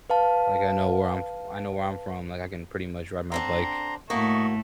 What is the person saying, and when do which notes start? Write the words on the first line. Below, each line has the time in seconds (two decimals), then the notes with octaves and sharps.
Like, I know where I'm f I know where I'm from, like, I can pretty much ride my bike
0.10 B4 F5 A5
3.32 D3 C4 D4 A#5 C6
4.10 A2 A3 A#3 F#4 D#5 C#6